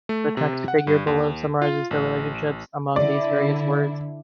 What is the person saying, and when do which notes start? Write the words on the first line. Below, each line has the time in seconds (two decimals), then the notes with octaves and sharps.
The text-figure below summarizes the relationships among these various words.
0.09 A3
0.37 C3
0.68 F#5
0.87 G2
1.07 D#2
1.62 F4
1.91 A1
2.96 D3 E4 D5